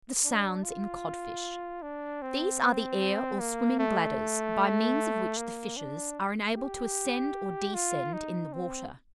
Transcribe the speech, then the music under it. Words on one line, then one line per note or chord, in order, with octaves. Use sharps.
THE SOUNDS IN CODFISH.--These are the air or swimming bladders, by means of which the fishes are enabled to ascend or descend in the water.
D4
F4
D4
C4
A#3
A3
A#3
D4
G4
F4
D#4
C4